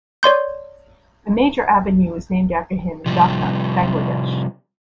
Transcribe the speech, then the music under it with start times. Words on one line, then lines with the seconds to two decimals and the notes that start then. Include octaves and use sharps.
A major Avenue is named after him in Dhaka, Bangladesh.
0.23 C#5 D5 C6 G6
3.06 C3 F3 G3